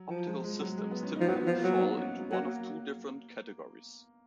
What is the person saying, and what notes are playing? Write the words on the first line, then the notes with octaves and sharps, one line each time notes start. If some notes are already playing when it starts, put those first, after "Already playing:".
Optical systems typically fall into one of two different categories.
Already playing: F#3
F3
G#3
G#3
F#3
G#3
B3
C#4
F3 D#4
F#3 B3
F3
A#3
F#3
D#4
C#4
F#3 A#3